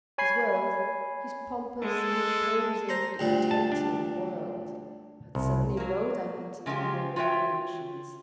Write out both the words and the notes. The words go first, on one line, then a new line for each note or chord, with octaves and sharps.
His world, his pompous, imposing, dictating world, had suddenly rolled up into narrower dimensions.
C#5 G#5 B5 G#6 C7
G#3 A4
C5 A#5 C6
D2 A#2 G3
A5
D4
C2
F#3 A#3
C#3 G#3 E4 F4 G4
F4 F#4 C#5 E5 G5